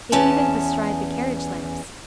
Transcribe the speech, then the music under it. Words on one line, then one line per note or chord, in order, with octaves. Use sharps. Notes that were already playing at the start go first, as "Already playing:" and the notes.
They even bestride the carriage lamps.
E2 C#4 A5